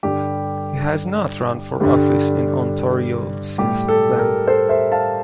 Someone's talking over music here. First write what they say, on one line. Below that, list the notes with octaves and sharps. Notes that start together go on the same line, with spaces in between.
He has not run for office in Ontario since then.
G2 D3 G3 G4
G2 D3 G3
A2 G3 G4
A4
G4 A#4
A4 C5
C5 E5
F5 A5